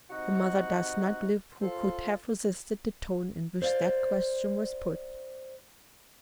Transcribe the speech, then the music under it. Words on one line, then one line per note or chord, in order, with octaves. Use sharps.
The mother does not live who could have resisted the tone in which that question was put.
C3 D#4 F#4 F#5
F4 A4 C5 F5
C5 D5 F5